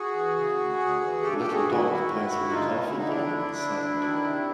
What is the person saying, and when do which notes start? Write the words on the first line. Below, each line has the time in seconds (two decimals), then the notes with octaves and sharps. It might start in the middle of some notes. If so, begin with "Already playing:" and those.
A little dog plays with a colorful ball in the sand.
Already playing: F#4 G#4
0.13 E3
0.35 C#3
0.57 D2
0.78 D2
1.00 E3
1.21 G2 G4 A4
1.38 G4 A4
1.43 G2
1.53 F#4 G#4
1.65 D#3 E4 F#4
1.86 D#3
2.07 G2
2.30 G2
2.51 D2 D#4 F4
2.73 D2
2.83 E4
2.93 D3 D#4
3.08 D4 E4
3.16 D3
3.37 D2
3.59 D2
3.81 D2
4.02 D#3
4.23 C3